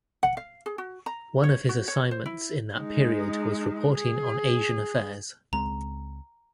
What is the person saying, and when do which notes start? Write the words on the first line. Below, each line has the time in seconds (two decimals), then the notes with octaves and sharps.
One of his assignments in that period was reporting on Asian affairs.
0.23 F#5
0.37 F5
0.66 G#4
0.78 F#4
1.06 A#5
1.44 C#5
1.69 F#4
1.88 C#5
2.11 C5
2.26 E4
2.77 G#3 D#4
3.94 G#4
5.53 C#2 G#3 C4 A#5